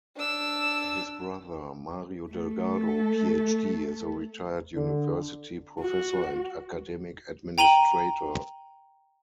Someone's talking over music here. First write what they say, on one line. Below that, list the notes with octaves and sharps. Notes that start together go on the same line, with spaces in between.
His brother, Mario Delgado, Ph.D., is a retired university professor and academic administrator.
D4 E6
A3 A4
D3
F#4
G5 A#5 D#7 F#7 G7